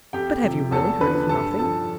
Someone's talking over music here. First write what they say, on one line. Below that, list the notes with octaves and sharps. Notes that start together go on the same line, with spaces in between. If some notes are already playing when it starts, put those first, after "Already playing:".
"But have you really heard of nothing?"
F2 G4 G5
C3 F3
E2 A4 A5
D3 F3 B4 B5
G2 A4 A5
F3 A4 A5